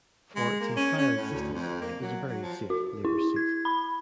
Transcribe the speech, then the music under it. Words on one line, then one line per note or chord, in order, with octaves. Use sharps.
For its entire existence, it was a very safe Labor seat.
G#3
A#3
C#4
C#4
A2
D2
F2
A#3
F#3
F#3
F3
F#4
E4
G#6
B5